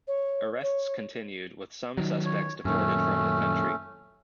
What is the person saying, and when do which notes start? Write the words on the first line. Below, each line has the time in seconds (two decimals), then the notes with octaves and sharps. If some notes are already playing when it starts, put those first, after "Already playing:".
Arrests continued, with some suspects deported from the country.
0.08 C#5
0.63 C#5
1.97 D#3 F#3
2.25 C#5
2.65 F#2 A#2 D#3 A3 C#4